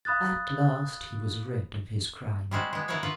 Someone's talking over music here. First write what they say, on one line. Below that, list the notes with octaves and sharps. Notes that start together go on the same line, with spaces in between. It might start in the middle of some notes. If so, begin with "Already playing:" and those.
At last he was rid of his crime.
F5 B5 D#6 F#6 A6
G3 G#3 C4 F#4
G#3 B3
B3 E4 A#4 B4 C#5 F5
F4 F#4 B4